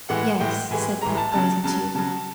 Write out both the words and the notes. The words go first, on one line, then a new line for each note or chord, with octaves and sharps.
'Yes,' said Puck, rising too.
A2 E3 G#3 F#5
A2 E3 G#3 G5
A2 E3 G#3 G#5
A2 E3 G#3 A#5
A5
C#3 F#3 A5
C#3 F#3 A5
C#3 F#3 A5